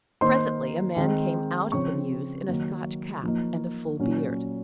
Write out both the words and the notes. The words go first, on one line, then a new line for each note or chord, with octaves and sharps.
Presently a man came out of the mews in a Scotch cap and a full beard.
D#3 A#3 D#4 C5 C6
D#3 G#3 C4
C#3 F3 C4 C#5 C#6
D#3 F#3 A#3
F3 A#3 D#4
A#2 F#3 C#4